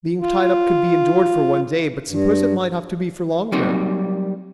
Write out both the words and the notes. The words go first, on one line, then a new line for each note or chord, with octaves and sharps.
Being tied up could be endured for one day, but suppose it might have to be for longer?
F4
G2
F#3 G3 A#3 C4 D#4